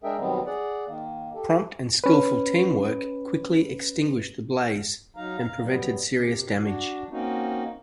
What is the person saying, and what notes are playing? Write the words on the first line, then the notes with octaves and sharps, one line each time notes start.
Prompt and skillful teamwork quickly extinguished the blaze and prevented serious damage.
G#3 D4 G#4 A#4 E5 G5
B2 D#3 F#3 G3 B3 C4
G#4 D5 F#5
D#3 A#3
G4 A4
C#4 B4
F#3 D#4 F5 A#5
F5 A#5
F#3 G3 B3
C3
D4 F#4
A#3 C4 C#4 D#4 F#4